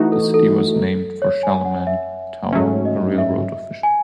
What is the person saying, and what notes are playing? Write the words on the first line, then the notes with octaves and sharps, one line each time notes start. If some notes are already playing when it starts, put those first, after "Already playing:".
The city was named for Charlemagne Tower, a railroad official.
Already playing: E3 A3 D#4 F#4
A4
A4
C#5
G#5
F#5
E5
G#2 F#3 A3 C#4 E5
D#5
E5
G#5